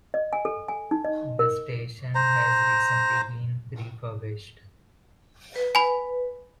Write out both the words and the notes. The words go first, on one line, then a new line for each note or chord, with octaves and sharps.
The station has recently been refurbished.
D#5
G#5
A4
G#5
D#4
D#5
A#4
C5 A#5
B4
G#5 B5